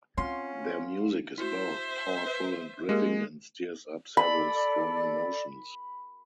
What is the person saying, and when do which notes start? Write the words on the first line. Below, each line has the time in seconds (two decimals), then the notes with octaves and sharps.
Their music is both powerful and gripping and stirs up several strong emotions.
0.18 C4 C#4 F4 F#4 C6
1.38 E4 F#4 C5 E5
2.27 B4
2.89 G#3 A#3 G4 A#4
4.17 A4 D5 B5